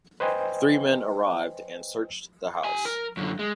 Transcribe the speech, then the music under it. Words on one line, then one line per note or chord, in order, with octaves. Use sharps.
Three men arrived and searched the house.
B4 C5 D#5 G5 G#5
G4 G#5
A#4
F#2 D3
G#3